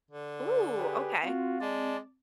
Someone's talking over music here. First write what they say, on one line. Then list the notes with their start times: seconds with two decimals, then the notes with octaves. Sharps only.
Ooh, okay.
0.11 D3
0.78 G4 G#4 B4
1.23 C4 F4 F#4
1.61 G#3 D5 A5